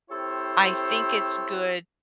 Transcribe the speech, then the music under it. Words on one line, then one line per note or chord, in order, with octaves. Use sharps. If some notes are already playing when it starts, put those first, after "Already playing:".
I think it's good
C4 E4 G4 A4 C5 C#5